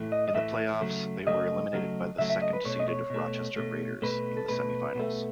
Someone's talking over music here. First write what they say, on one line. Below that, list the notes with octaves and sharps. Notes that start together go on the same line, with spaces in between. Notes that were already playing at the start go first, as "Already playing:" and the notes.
In the playoffs, they were eliminated by the second-seeded Rochester Raiders in the semifinals.
Already playing: A2 E3 A3
D#5
D#5
A2 E3 A3 E5
C#3 F#3 A3
C#3 F#3 A3 D#5
C#3 F#3 A3
C#3 F#3 A3 E5
E5
D#5
B4
B2 A3 C#5
D#5
C#5
B2 A3
B2 A3
B2 A3 B4
A4
B2 A3 B4
B2 A3